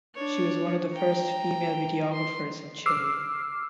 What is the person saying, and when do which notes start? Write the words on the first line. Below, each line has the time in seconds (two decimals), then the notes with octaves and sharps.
She was one of the first female videographers in Chile.
0.15 D4 C#5
0.94 G5 A#5
2.12 C6
2.86 D6 E6 F6 C7